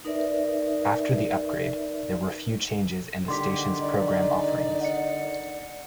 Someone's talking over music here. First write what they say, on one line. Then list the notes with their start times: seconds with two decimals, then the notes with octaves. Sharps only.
After the upgrade, there were few changes in the station's program offerings.
0.05 D#4 A#4 B4 D5 E5
3.28 D3 D#3 G3 C6 D6 B6
3.81 D#4 D5
4.81 F#5 C#7